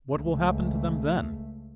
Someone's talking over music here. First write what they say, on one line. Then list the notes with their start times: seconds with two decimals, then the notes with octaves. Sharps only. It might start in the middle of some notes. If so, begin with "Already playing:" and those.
What will happen to them then?
0.14 C#2 A3